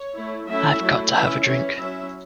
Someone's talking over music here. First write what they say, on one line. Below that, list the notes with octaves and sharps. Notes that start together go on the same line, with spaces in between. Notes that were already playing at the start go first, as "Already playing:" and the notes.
I've got to have a drink.
Already playing: C#5
A3 E4
F#3 A3 C#4 E4 E5
F#3 A3 E4
E3 C#4 E4 E5
E3 C#4 E4 C#5
F#3 C#4 E4 E5